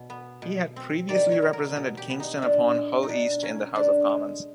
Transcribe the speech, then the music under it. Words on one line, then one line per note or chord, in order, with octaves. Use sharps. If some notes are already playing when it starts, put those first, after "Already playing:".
He had previously represented Kingston upon Hull East in the House of Commons.
Already playing: B2
B3
B2
C4
D#3 D5
C#5
B3
A#4
B2
G4
B3
D#4
A#2 D4
G#3
D#4
B2 D4
A#3 C#4
D3 D4
G#3